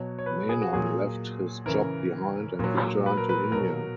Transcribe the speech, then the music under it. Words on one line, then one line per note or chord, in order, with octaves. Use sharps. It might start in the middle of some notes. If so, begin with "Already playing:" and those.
Menon left his job behind and returned to India.
Already playing: B2 F#3 C#5
C#5
B4
G#4
F#4
A#2 F#3 G#4
C#3 E3 A#4
A#2 F#3
B4
A#4
B4
B2 F#3 A#4